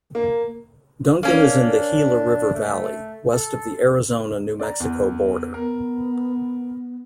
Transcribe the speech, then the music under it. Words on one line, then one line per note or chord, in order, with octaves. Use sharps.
Duncan is in the Gila River valley, west of the Arizona-New Mexico border.
A#3
A#3 C#4 D4
A3
A4
D5 A#5
E2
B3 A#4